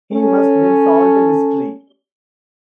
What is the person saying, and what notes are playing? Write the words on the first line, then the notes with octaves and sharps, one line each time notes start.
He must then solve the mystery.
C#4 A4